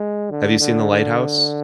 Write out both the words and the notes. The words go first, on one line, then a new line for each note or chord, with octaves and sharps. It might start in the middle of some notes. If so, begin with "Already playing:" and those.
Have you seen The Lighthouse?
Already playing: G#3
D3
D3
D3